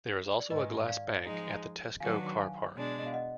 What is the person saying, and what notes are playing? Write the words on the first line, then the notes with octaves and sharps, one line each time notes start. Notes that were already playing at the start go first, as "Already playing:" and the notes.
There is also a glass bank at the Tesco car park.
D5
G#2 D#3 G#3 B4 D#5
D5 F5
F3 G#3 D#4
D#3 F#3 D4 F#4 B4 F5 G#5
F5 G#5
B2 G#3 D4
D5
D#5
F5
D#5 F#5